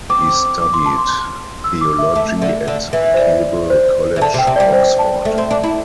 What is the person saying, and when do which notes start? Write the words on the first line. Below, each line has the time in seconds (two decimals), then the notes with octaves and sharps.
He studied theology at Keble College, Oxford.
0.10 C4 D6
0.62 D6
0.74 C6
0.86 A5
0.98 C6
1.13 C6
1.64 E6
1.81 D6
1.99 E5
2.15 A3
2.42 D3
2.68 D3
2.93 E3
3.14 C5
3.19 D5
3.70 C5
4.16 E3
4.21 D3 A5
4.34 C3
4.39 G5
4.47 C3
4.56 G3 D5
4.73 C5
4.99 A5
5.25 A3
5.38 C4
5.51 D4
5.64 E4